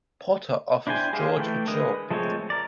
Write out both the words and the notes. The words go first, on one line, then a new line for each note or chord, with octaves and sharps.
Potter offers George a job.
D4 E4 C5 G5 G#5
G#3 G4 G#4 C5 F5
E3 A3 G5
D3 G#3 A#4 B4 D#6
F3 G#3 A3 C4 C#5
A#4 D5